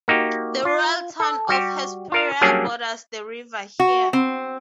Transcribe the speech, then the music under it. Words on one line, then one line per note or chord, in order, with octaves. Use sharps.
The rural town of Hesperia borders the river here.
A#3 D#4 F#4 G4
F4
A4
G3 F#4 G4
F4 A#4 F5
F#3 G3 A#3 C#4 D4 G#4
F#4
C4